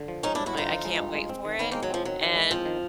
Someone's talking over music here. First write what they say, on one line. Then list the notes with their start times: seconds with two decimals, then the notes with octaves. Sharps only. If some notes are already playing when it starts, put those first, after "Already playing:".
I I can't wait for it, and
Already playing: D3
0.08 F3
0.23 G#3 C#4 D#4
0.35 D4 E4
0.38 G2
0.46 E4 F#4
0.54 D3 D#4 F4
0.69 F3
0.85 G#3
0.99 G2
1.14 G#3
1.29 C4
1.45 D#3
1.59 D#3 B3 C#4
1.72 G#3 A#3 C4
1.83 F#3
1.90 F3 C4
2.05 D#3 F#3
2.21 D#3
2.35 G#3
2.51 F3 C4
2.65 D#3